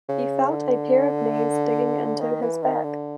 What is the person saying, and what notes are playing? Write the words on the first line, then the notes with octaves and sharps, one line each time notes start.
He felt a pair of knees digging into his back.
C#3
D3
D#3
E3
D#3
D3